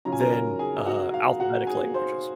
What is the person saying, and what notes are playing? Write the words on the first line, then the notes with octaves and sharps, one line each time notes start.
then, uh, alphabetic languages.
C#3 F#3 C#4 F4 A#5
G#5
A#4 A#5
A#4 A#5
G#4 G#5
F#4 F#5
F5
F#4 F#5
G#4 G#5
C5 C6